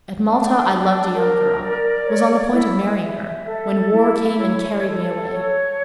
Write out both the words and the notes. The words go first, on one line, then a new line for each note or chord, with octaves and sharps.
At Malta, I loved a young girl, was on the point of marrying her, when war came and carried me away.
D4
D4
A#4
D5
C#5
E4
E5
A4
E4
C#5
A4
C#5